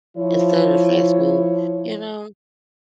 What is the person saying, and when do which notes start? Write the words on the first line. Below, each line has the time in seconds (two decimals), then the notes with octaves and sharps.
instead of fast food, you know?
0.17 F3 E4 C#5